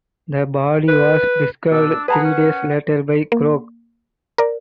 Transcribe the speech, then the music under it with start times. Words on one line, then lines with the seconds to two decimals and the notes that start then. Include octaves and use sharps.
The body was discovered three days later by Krohg.
0.88 B4
1.71 B2 D4 E6
2.08 G#4 B4 F#5 A5 A#5
2.24 C#4
3.32 A#3
4.38 A#4 D5